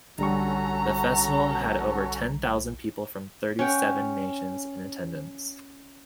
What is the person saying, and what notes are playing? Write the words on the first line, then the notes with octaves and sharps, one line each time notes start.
The festival had over ten thousand people from thirty-seven nations in attendance.
B1 D3 G3 C#4 F#4 A4 A#5 C#6
C#4 F#5 G5